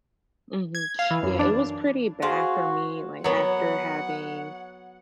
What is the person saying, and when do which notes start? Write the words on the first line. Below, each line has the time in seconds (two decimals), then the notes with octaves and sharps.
Mhm. Yeah, it was pretty bad for me, like, after having
0.75 G#6
0.99 F5
1.11 E3
1.23 F#2
1.39 D4
2.22 F#4 G#4 C5 F5
3.24 F#3 B3 C#5 F#5